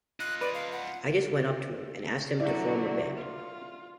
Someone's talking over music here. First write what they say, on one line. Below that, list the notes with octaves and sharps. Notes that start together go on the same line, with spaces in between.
I just went up to him and asked him to form a band.
F4 D#5 F#6
B4 D5
F5
F#5
D3 F#3 E4 D5
F4